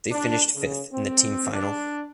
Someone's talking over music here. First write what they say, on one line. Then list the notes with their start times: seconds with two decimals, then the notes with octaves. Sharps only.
They finished fifth in the team final.
0.11 D4
0.55 C#3
0.93 C4
1.52 D4